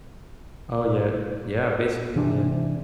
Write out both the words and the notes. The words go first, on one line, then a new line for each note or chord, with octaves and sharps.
Oh, yeah Yeah. Basically, yeah.
C3 E3 D4